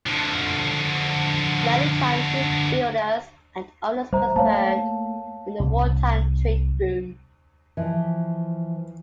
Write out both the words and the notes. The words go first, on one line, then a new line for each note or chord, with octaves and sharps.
Maritime ship builders and owners prospered in the wartime trade boom.
D3 F3
G3 C5 E5 A#5
A3 A#3 C#5 F5 A5
C2
E3 F3